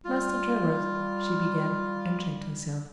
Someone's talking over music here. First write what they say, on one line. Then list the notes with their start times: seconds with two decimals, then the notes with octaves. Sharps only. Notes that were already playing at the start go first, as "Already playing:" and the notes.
"Master Gerard," she began--and checked herself.
0.05 G3 F4